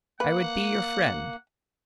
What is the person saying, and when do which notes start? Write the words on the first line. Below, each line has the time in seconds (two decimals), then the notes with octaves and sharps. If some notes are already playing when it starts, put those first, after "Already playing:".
I would be your friend.
0.20 A#3 B4 F#5